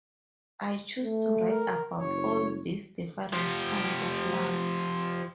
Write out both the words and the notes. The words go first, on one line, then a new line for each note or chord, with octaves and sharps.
I chose to write about all these different kinds of love.
A3
A#4
F#1 C#5
F3 G4